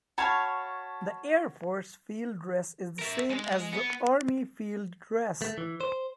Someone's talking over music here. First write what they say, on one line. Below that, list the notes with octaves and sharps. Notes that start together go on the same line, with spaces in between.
The Air Force field dress is the same as the army field dress.
F#4 C#5 F5 A5 B5 G#6
A#4 E5
G#3
B3
A3
E3
C5